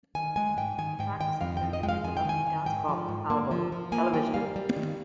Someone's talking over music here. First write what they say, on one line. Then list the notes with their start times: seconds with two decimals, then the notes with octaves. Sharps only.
The track was included in the lucky dance-pop album "Television".
0.15 D#3 G#5
0.36 G#3 G#5
0.57 G#2 G5
0.78 D#3 G#5
0.99 G#2 G5
1.20 D#3 G5
1.41 F2 F5
1.57 G5
1.63 F2
1.73 D#5
1.83 G#3 G5
1.89 F5
2.04 F2 G#5
2.17 G5
2.25 D#3 G#5
2.47 D#3
2.66 G#2 G5
2.88 F3
3.09 G#2
3.30 A#3
3.51 F3
3.72 F3
3.92 A#3 G#5
4.13 G3 G5
4.34 G3 F5
4.56 G3
4.76 D#3